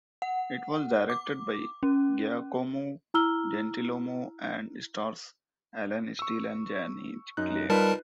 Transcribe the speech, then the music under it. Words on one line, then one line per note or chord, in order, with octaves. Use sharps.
It was directed by Giacomo Gentilomo and stars Alan Steel and Jany Clair.
F#5
D6
C#4
E4 A#5 E6 F6 G7
C#6 E6
F#2 D#4 F#6
G3 D#4 F4 A#4 B4 A5